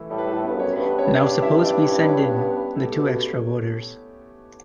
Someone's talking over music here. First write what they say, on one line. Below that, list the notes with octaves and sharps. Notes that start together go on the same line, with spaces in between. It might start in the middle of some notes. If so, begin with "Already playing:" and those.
Now suppose we send in the two extra voters.
Already playing: E3 A3 E4 A4
A2 G3 G4
B4
A3 A4
A2
G2 B3 B4
F#2
C#4 C#5
G2 B3 B4
C#4 C#5
D4 D5
E4 E5
E5
D4 D5
C#4 C#5
B4
C#4 C#5
B3 B4
B3 B4
A4
G4
A3 A4
B2